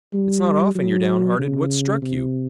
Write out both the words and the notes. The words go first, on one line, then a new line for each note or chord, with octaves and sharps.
"It's not often you're downhearted. What's struck you?"
G3
F#3
C#3
C3